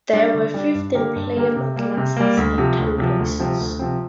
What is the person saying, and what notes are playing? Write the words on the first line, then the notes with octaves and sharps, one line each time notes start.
There were fifteen playable classes, and ten races.
G3 D4
D3
G3 D4
G2
D3 A#3 G4 A#4
G2
D3 A#3 G4 A#4
C3
G3 A#3
C3
G3 A#3
D2
C3 F3
D2
C3 F3
D2
C3 F3 C4
D2
C3 F3 C4